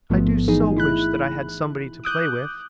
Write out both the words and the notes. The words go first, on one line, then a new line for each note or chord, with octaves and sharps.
I do so wish that I had somebody to play with.
A1 G#2 F3 A3 B3
E3 D#4 G#4
E4 B5 F#6
D6 D#6 F#6 G6